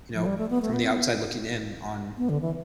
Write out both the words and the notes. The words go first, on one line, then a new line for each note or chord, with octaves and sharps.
you know, from the outside looking in on
F3
G3
A3
B3
A3
B3
C4
B3
B3
D3
E3